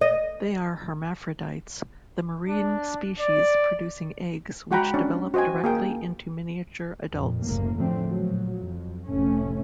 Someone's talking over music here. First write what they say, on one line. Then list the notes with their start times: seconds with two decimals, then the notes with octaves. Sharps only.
They are hermaphrodites, the marine species producing eggs which develop directly into miniature adults.
0.01 D#5
2.49 D4
3.20 D5
4.71 G#3 F#4 F#5 G5 A#5 B5
4.94 C#4 D4
5.34 F#4 C5 D#5 G5 G#5
5.64 A#3 G#4 G5
7.12 F2 A#2
7.43 F#1 C2 A2 A#3
7.76 E2 A2 D3 F3 A3 C4
8.09 A#2 F3 F#3
8.62 F2
9.06 F1 A2 A3 C#4